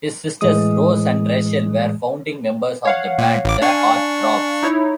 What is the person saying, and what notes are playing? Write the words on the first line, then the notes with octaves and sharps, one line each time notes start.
His sisters Rose and Rachel were founding members of the band The Heart Throbs.
A2 E3 G#3 D#6
C#5 F5 F#5
A#2
A1 D6
D4 F5 G#5 C#6
D#4 E4 C#5